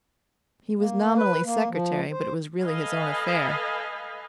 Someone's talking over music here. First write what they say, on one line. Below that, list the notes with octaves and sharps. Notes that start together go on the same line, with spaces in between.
He was nominally secretary, but it was really his own affair.
A#3
B4
A#3
F3
C5
A4 B4 D#5 F5 G#5 B5